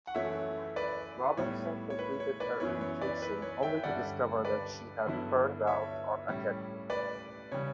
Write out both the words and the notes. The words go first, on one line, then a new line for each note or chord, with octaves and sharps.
Robinson completed her education only to discover that she had "burned out" on academia.
F#5
F#2 E3 A3 C#5 E5
B4 D5
A2 G3 B3 E4 C#5
C#5
B4
C#5
B4 D5
F#2 E3 B3 E4 C#5
C#5
B4 D5
B4
C#5
E5 G5
G2 D3 G3 C#4 D5 F#5
B4 D5
G2 D3 F#3 B3 E4
C#5 E5
A2 G3 C#4 E4
B4 D5
C#3 G3 C#4 C#5